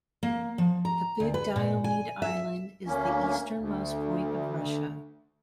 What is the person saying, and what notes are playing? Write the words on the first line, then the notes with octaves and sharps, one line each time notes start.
The Big Diomede Island is the easternmost point of Russia.
A#3
F3
A#5
D2
B4
A#2
G#5
E5
D2 A#3 C#4
D2